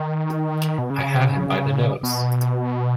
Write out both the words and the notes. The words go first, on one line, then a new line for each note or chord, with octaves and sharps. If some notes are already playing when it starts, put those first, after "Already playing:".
I have him by the nose!
Already playing: D#3
B2
C#3
B2